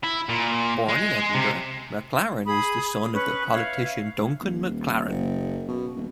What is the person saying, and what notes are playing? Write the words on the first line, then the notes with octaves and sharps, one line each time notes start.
Born in Edinburgh, McLaren was the son of the politician Duncan McLaren.
E4
A#2
G#3
C3
G#4 B5 D#6
C#4 B4 C#6
C#5 E5 F5
D#1
F#1
B2
D#1